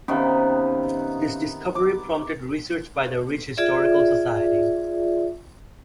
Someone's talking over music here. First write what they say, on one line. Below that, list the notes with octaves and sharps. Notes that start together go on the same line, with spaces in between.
This discovery prompted research by the Ridge Historical Society.
C3 D#3 B3 C#4 F5
D6
F4 G#4 D5 E5